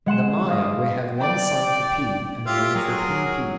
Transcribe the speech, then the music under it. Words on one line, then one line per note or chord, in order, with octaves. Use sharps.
In the Maya we have one sign for p, and another for pp.
G#3 F#5 C6 E7
F5 D#6
D5 G5
F4 G4 E5
F#3 G#4 A#4